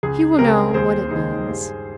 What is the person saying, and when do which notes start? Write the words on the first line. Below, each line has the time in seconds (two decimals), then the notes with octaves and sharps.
He will know what it means.
0.03 C#2 G#4
0.38 C#3 G3 C4 G4 A#4
0.74 D#2 G#4 C5
1.11 C#3 G#3 D#4
1.46 G2